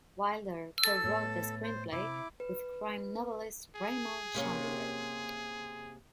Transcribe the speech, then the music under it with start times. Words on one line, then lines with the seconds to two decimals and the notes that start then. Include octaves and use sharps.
Wilder co-wrote the screenplay with crime novelist Raymond Chandler.
0.85 A4 E6
1.04 A2 B3
1.63 C5
1.92 C3 E4 D6
2.40 B4
3.76 G#4
4.35 C3 A#3 C#4